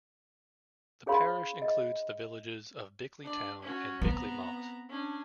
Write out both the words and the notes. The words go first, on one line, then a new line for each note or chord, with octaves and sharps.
The parish includes the villages of Bickley Town and Bickley Moss.
D4 G#4 C#5 F5 B5 C6
D#5
D4 D5
C#4 F#4
B3 C4 A#5
C#4 D4